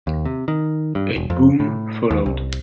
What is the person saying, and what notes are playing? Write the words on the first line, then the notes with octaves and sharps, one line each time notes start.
A boom followed.
D#2
C3
D#3
G2
E1
F2
A2
D#2
C2